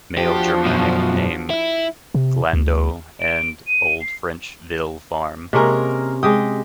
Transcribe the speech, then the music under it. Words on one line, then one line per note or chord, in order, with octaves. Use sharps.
Male Germanic name "Glando" and old French "ville" "farm".
F3 D4 F#4 G4
F#2 B2
E4
C3
D2
D7
D#7
C7
C3 G#3 A#3 C#4 A#4
G#3 G4 G5 D#6